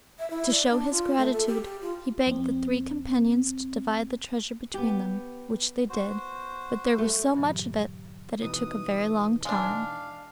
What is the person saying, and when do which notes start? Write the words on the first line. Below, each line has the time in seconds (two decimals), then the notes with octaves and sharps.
To show his gratitude he begged the three companions to divide the treasure between them, which they did; but there was so much of it that it took a very long time.
0.19 E5
0.30 E4
0.51 D5
0.71 D4
0.91 F4
1.17 A3
1.32 A4
1.47 G4
1.64 G4
1.81 F4
2.27 F2 C4
4.74 B3 G4
5.90 F#4 C5
6.98 A3
7.34 G2 A#2 D3 E3 F#3
8.42 B2 E3 D#4 D#6
9.45 G#3 D4 F5